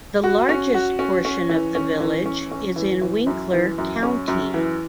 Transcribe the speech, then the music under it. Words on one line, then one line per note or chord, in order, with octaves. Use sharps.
The largest portion of the village is in Winkler County.
F#4
C#4
F#4
C#4
C#4
E3
C#4
E3
C#4
C#4
E3
E3
F#2
E3
F#2
C#4
F#2
E3